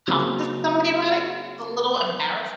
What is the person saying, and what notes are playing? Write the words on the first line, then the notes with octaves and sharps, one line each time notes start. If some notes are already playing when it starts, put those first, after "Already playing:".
talk to somebody about it. A little embarrassed.
C#3 F#3 A#3 C4